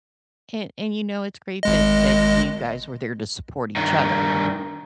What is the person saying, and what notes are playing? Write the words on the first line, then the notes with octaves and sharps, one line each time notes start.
An and you know, it's great that that you guys were there to support each other
G#1 G#3 D#5
G2 D#3